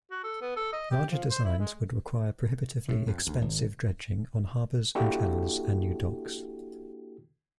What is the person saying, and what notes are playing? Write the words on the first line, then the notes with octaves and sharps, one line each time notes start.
Larger designs would require prohibitively expensive dredging on harbors and channels and new docks.
F#4
A4
B3
A4
D#5
G4
F3
C5
E4
G#3
A2
F2
D2
G#1
A#3 D4 E4 F#4 G4 A4